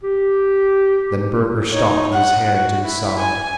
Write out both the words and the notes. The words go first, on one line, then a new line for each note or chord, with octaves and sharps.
Then Burger stopped with his hand to his side.
G4
D#4 C#5
F#5
F#4
E4
G#5